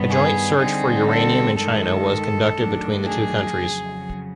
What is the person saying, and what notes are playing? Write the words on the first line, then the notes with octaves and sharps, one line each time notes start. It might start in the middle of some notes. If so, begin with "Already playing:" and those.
A joint search for uranium in China was conducted between the two countries.
Already playing: G2 D#3 G3 B3
G#4
D3 G3 C4 D#4 G#4
A4
G2 D#3 G#3 A4
F#2 D#3 F#3 A3 D4
G#4
F2 C#3 F#3